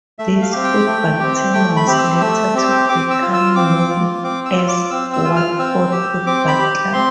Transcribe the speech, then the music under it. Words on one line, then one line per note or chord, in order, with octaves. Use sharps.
This football team was later to become known as Watford Football Club.
A3 E5
F5
C4 G4
G5
A3
C4 G4
A3 G5
B5
C4 G4
E6
A3 E6
C4 G4
C4 D6
E6
F4
E6
C4 D6
F4
C4 D6
E6
F4
D6
C4 E6
E6
F4
F6
C4 E6
G4
C4 D6
B5
G4
C4 C6